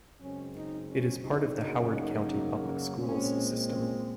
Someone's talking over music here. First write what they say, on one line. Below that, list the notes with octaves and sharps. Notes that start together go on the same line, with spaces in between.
It is part of the Howard County Public Schools system.
F#2 C#3 G#3 C4 C#4
D#4
C#4
D#4
F#2 C#3 F#3 A#3 D#4
D#4
A#2 G#3 C4 C#4
C#4